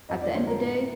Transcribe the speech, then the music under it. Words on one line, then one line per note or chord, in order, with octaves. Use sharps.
at the end of the day,
F2 D#5
D5
C#5
D3 F3 G#3 C5
A#4
A2